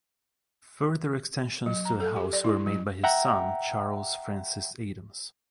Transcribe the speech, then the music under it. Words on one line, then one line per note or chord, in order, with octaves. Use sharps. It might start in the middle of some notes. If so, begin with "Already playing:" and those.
Further extensions to the house were made by his son, Charles Francis Adams.
F#3
A#5
A4
G4
D5
E4
F#3
E5 F#5 G5 A#5